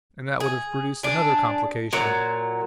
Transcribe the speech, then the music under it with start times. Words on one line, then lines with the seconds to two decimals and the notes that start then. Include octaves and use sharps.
And that would have produced another complication.
0.40 G#4
1.03 D4 G#4
1.93 A#2 F#3